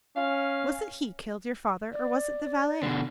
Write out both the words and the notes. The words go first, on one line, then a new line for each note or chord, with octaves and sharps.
Was it he killed your father or was it the valet?
C#4 F5
D5
B2 D3